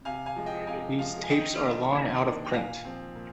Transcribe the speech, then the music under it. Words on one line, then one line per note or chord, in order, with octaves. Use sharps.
These tapes are long out-of-print.
C3 F5 G#5
F5 G#5
F3 G#3
D#5 G5
C3 F5 G#5
F3 G#3 F5
G#5
D#3 D#5 G5
A#3 D4
D#3
A#3 D4
G5
A#2 F5 G#5
F3 C4
A#2